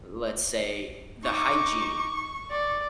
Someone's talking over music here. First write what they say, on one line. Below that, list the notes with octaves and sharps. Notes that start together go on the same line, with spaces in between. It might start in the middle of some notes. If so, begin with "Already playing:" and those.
Let's say the hygiene-
D#4 C#6 D6
D5